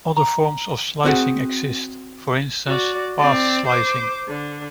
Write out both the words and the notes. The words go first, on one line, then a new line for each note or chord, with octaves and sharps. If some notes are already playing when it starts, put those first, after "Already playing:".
Other forms of slicing exist, for instance path slicing.
A#5
C4 F#4 G#4 F#5
F#4 D5
C4 D5
C5 D6
D3